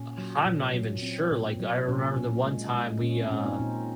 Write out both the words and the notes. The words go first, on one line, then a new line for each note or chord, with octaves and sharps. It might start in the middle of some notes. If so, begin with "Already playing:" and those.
H I'm not even sure, like, I remember the one time we, uh
Already playing: A#2 C#4
F#3
A#2
F#3
C4
A#2
F#3
A#2 C#4
A#2
G#3
G#3
A#2 C#4
C4
A#2 C#4
C4 D#4
A#2 C4 D#4